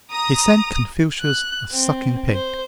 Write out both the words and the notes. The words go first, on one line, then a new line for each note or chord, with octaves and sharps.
He sent Confucius a sucking pig.
A#5 D#6
F#6
C4
C5